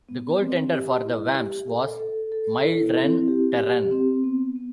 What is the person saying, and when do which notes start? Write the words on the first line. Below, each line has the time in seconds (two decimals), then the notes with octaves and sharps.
The goaltender for the Vamps was Mildren Terran.
0.09 B3
0.40 C4
0.72 G4
1.04 E4
1.36 G4
1.67 A4
1.99 A4
2.32 A4
2.64 E4
2.96 C4
3.28 G4
3.59 G4
3.91 C4
4.24 B3
4.56 B3